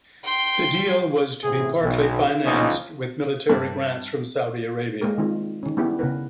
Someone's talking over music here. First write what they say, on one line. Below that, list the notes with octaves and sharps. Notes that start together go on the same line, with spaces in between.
The deal was to be partly financed with military grants from Saudi Arabia.
G5 C6
A1 C3 G#4
B1
C#2 A#2 E3 F3 C#4 D#4
G2
G#3 A#3 G4 A#4
D#3 G3 G#3 C4 F4
D#3 C#4
G3 B3 E4 G4 G#4
C#3 B3 A#4 B4